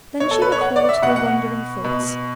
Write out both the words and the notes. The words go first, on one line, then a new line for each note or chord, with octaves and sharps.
Then she recalled her wandering thoughts.
B2 C#5
A4
B4
C#5
F#5
D5
E5
B2 F#5
F#5
B2